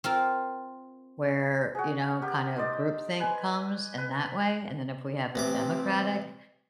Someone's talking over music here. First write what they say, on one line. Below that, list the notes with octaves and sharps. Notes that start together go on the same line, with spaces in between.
where, you know, kinda groupthink comes in that way, and then if we have a Democratic,
C4 F4 A#4
F#4 G#4
B3 G4 A#4
D#4 C5 D5
B4 G#5
B4
A1 C3 C4 D6